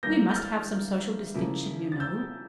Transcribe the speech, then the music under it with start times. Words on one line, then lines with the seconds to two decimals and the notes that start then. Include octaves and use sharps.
"We must have some social distinction, you know."
0.03 G2 E3 A#3 G6 A#6
0.29 G6
0.36 F6 A6
1.34 C#3 F3 A#3 E4
1.92 A6
2.00 E6 G6